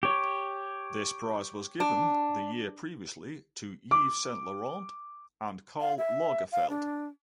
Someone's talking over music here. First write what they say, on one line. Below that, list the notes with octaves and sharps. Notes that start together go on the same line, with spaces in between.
This prize was given the year previously to Yves Saint Laurent and Karl Lagerfeld.
G4 C#5
D4
D6
F5
E5
F5
D4